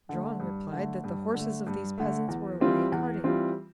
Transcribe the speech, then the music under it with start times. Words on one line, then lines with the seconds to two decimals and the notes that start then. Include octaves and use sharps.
Dron replied that the horses of these peasants were away carting.
0.09 D3 A3
0.40 G2
0.72 D3 A3
1.04 G2
1.34 D3 A3
1.67 G2
1.98 D3 A3
2.28 E2
2.60 E3 G3 C4 F4
2.92 E2
3.24 E3 G3 C4 F4